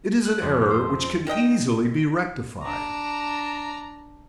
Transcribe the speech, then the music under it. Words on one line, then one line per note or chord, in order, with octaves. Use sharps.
"It is an error which can easily be rectified."
F#6
F2
C5
C4
D#3 D4 D#5 G5
D4 A#5